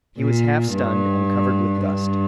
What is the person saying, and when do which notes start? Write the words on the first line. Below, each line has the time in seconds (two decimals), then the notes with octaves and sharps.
He was half stunned and covered with dust.
0.17 A#2
0.72 G2
1.80 G2